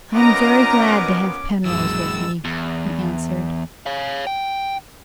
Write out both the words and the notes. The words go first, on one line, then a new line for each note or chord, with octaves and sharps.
"I am very glad to have Penrose with me," he answered.
A#2 F3 B3 C#4 D#5 A#5 D6
A#1 F#2 E3 G#3 E6 A6
E2
C#5 F5
G5